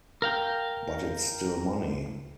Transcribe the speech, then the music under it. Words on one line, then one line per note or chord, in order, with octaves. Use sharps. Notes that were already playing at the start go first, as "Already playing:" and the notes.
But it's still money.
A#4 F5 G5